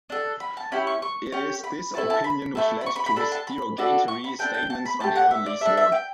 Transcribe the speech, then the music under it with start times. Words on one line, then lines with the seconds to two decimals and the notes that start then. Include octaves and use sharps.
It is this opinion which led to his derogatory statements on "Heavenly Sword".
0.10 D4 A4
0.40 B5
0.57 A5
0.72 C#4 E4 G4 B5
0.87 C#6
1.02 C#6
1.32 C#4 G4
1.64 B5
1.94 A3 E4 A4 A5
2.10 A5
2.24 B5
2.55 A3 E4 A4
2.81 B5
2.86 C#6
2.96 B5
3.06 B5
3.16 D4 A4 B5
3.32 A5
3.47 B5
3.78 D4 F#4 A4
4.08 C#6
4.24 B5
4.39 D4 A4 G5
4.54 G5
4.70 A5
4.86 B5
5.00 A3 E4 G4 A5
5.16 F#5
5.31 E5
5.46 D5
5.61 D4 A4 E5
5.77 E5
5.92 G5